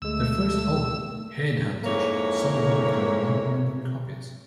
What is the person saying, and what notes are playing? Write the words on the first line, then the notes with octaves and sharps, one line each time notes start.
Their first album, "Head Hunters", sold more than one million copies.
D2 G#3 A3 E6
F2 G#2 A#3 E4 A#4 C#5